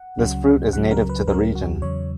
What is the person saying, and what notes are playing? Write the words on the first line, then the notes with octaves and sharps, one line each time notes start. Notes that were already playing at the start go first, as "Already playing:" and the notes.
This fruit is native to the region.
Already playing: F#5
C#2 C#3 F#3
C#2 C#3 F#3 F#5
A#4
B4
C#2 C#3 F#3 A#4
F#4
E2 C#3 F#3 C#5